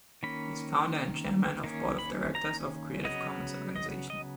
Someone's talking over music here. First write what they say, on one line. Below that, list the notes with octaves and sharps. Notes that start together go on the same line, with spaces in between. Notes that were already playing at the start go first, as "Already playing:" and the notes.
He is founder and Chairman of Board of directors of Creative Commons Organization.
D#3 A#3 C#4 B5
D#3 A#3 C#4
B5
A#5
C#3 F#3 B3 D#5
D#5
D#5